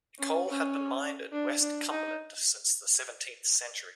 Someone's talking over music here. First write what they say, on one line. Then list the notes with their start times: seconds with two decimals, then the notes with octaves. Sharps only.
Coal had been mined in West Cumberland since the seventeenth century.
0.19 C#4
0.48 C#4
1.32 D4
1.61 D4
1.90 D#4